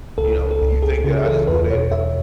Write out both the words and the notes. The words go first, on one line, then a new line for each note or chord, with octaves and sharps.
you know? You think that I just go there and go
C#2 A4
C#2
A4
C#2
C#2 G#4
C#3 G#4
E3 A4
E2 B4
B2 C#5
E2 E5